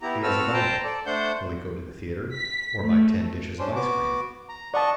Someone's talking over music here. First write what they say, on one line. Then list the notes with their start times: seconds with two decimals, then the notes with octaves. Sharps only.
He has a dollar; will he go to the theater or buy ten dishes of ice-cream?
0.01 B3 E4 G4 A#5
0.23 C4 F#4 A4 B4 E6 F6
0.53 C5 G5 A5 A#5
0.84 A4 D5
1.06 A3 D4 C5 F#5 C6 G6
2.35 B6
2.81 A3
3.59 C#4 D4 C5
3.76 B3 F#4 D6
4.49 A#5
4.74 D5 D#5 F#5 A5 C#6